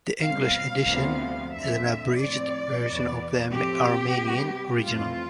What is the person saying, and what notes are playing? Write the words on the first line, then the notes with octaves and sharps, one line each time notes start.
The English edition is an abridged version of the Armenian original.
B2 G3 C4 F5
D2 C3 F3 B3
F2 D3 F3 C4 E5
A2 F3 C4 D5
E2 B2 B3
A2 F3 C4 G4
C3 G3 B3
F2 E3 A3 C4 F4